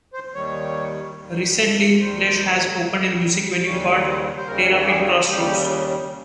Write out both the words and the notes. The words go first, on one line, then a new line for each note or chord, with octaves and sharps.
Recently, Lesh has opened a music venue called Terrapin Crossroads.
C5
D#2 D#3 G3 C#5
D#2 D#3 G3
D#2 D#3 G3 C5
D#2 C#3 G3
D#2 C#3 G3 C#5
C5
C5
D#2 C#3 G3 A#4
G4
G#4
D#2 C#3 G3 G4